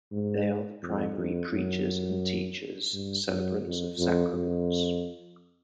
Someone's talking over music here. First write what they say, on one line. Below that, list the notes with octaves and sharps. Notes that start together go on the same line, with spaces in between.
They are the primary preachers and teachers, celebrants of sacraments.
G#2
F2
F2
F#2
G2
F#2
F2
F2
F2